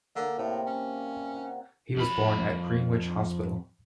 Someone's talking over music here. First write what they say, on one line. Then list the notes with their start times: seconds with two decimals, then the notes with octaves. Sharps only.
He was born at Greenwich Hospital.
0.16 D3 A#3 A#4 D5
0.38 A2 C3
0.67 C#4
1.36 F#5
1.96 F2 B5